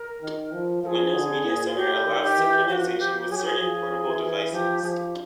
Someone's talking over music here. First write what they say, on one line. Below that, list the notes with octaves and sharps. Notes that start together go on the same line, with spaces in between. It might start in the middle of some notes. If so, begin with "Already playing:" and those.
Windows Media Center allows synchronization with certain portable devices.
Already playing: A#4
D#3
F3
F3 G#4 A#4
D3
A#2
A2 G4
D#3
G4
E3
F3 G4
F#4
F3 G4
F#3 G#4
G4
G#4
F3 G#4
E3
F3 G4
F3 G4 G#4